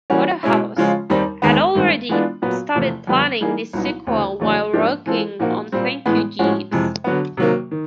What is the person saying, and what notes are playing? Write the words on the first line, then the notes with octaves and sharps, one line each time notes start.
Wodehouse had already started planning this sequel while working on "Thank You, Jeeves".
E3 G3 A#3 C#4 F#4
B2 G#3 C#4 E4
C#3 F3 G#3 C#4 F4
D#2 D#3 G3 C4 D#4
D#2 D#3 G#3 B3
G2 D#3 G#3 C4
E3 G#3 B3 D4 F4
A#2 F#3 B3
E2 C3 F3 A3
F2 D3 G3 B3
E3 G3 A#3 D#4 G#4
C2 A#2 F#3 B3 D#4
D2 C#3 E3 A3 C4
E2 C#3 F#3 A3 D4
G#2 F3 A#3 D4 G4
E3 G#3 C4 F4 A4
A#2 F3 A#3 D#4 F#4
A#2 G3 C4
A2 E3 G#3 B3
A2 F3 G#3 C#4 F#4
F2 C3 E3 G#3
D3 F#3 B3
C3 D#3 F#3 A#3
D#3